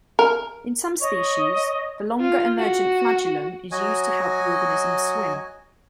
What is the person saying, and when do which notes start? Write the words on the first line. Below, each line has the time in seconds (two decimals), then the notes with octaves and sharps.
In some species, the longer, emergent flagellum is used to help the organism swim.
0.19 A#4
1.02 C#5 D#5
2.20 F4
2.58 F#4
3.71 F#3 F#4 D#5 G#5